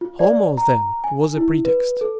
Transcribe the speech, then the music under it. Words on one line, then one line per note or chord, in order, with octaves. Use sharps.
Homo, then, was a pretext.
F4
D5
A#5
G#5
E4
B4
A4